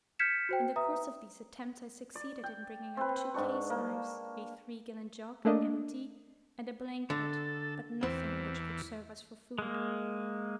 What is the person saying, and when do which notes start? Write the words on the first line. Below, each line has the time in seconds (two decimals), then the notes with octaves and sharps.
In the course of these attempts I succeeded in bringing up two case-knives, a three-gallon jug, empty, and a blanket, but nothing which could serve us for food.
0.19 F6 G6 G#6 B6 C#7 E7
0.49 F#4 C5 G5
0.76 B4 E5 A#5 D#6
2.15 D5
2.44 G5
2.97 C4 B4
3.34 G#2 D4 C#6
3.70 A#3
5.45 A3 A#3 D4 D#5
7.10 D3 A4
8.03 E2 C4
9.58 G#3 A#3